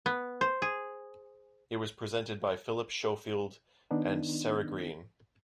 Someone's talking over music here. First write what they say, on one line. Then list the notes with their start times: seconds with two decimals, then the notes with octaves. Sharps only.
It was presented by Phillip Schofield and Sarah Greene.
0.06 B3
0.41 C5
0.62 G#4
3.91 D#3 B3 D4 D#4